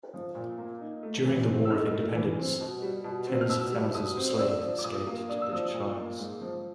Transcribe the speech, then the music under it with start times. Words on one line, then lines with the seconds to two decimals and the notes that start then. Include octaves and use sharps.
During the War of Independence, tens of thousands of slaves escaped to British lines.
0.14 F3
0.35 A#2
0.58 A#3
0.81 D#4
1.03 A3
1.25 E3
1.48 C4
1.65 E6
1.70 D#4 F6
1.93 A3
2.15 E3
2.38 C4
2.60 B2
2.82 G3
3.04 B2
3.27 C4
3.41 F6
3.49 B2 E6
3.72 G3
3.94 B2 D#6
4.17 C4
4.39 D4 E6
4.62 F3
4.79 D6
4.84 A#2 D#6
5.07 A#3
5.29 D4 D#6
5.42 E6
5.52 F3 D#6
5.74 A#2
5.96 A#3
6.19 G#2
6.41 F3